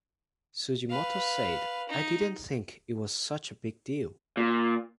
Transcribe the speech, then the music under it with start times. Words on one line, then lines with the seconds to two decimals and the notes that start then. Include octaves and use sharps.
Sugimoto said, I didn't think it was such a big deal.
0.90 B4 F5
1.89 D#4
4.37 A#2